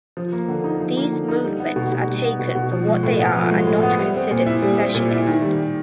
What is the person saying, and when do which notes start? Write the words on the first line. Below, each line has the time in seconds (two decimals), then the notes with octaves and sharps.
These "movements" are taken for what they are and not considered secessionist.
0.17 F3
0.33 A#3
0.48 D3
0.64 D#4
0.80 F3
0.97 A#3
1.12 D3
1.28 D#4
1.44 G3
1.60 B3
1.76 B2
1.92 B2
2.07 G3
2.24 B3
2.39 B2
2.55 B2
2.72 F3
2.87 G#3
3.03 A2
3.19 B3
3.36 F3
3.51 G#3
3.67 A2
3.83 B3
3.98 G3
4.14 C4
4.31 A#2
4.46 E4
4.62 G3
4.79 C4
4.95 A#2
5.11 E4
5.26 D#3
5.42 G3